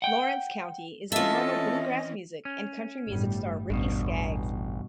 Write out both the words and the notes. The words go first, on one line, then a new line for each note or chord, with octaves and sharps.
Lawrence County is the home of bluegrass music and country music star Ricky Skaggs.
F#5 G5
E3 C4 C#4 F4 A4 D#5 E5 A5
C#4
G1 A2 G3
A1 E2 G2 B2